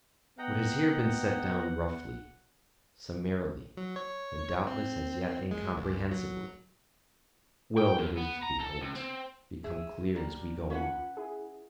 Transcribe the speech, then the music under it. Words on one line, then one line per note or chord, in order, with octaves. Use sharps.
What has here been set down roughly, summarily, and doubtless as yet incomprehensibly, will, it is to be hoped, become clear as we go on.
B3 D#5 F#5 G5 A#5
F#3
C#5
C4
G#3
C#2
F#3
G5
F#2
B3
A#5
A4
C#2
C4
G#4 E5
G3 A#3
C#4 F4 B4 F#5
E4 G#4